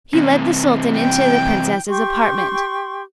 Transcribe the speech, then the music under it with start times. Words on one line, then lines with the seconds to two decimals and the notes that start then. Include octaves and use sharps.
He led the sultan into the princess's apartment.
0.14 C3 E3
0.97 G5
1.88 G4 G5 C6 C#6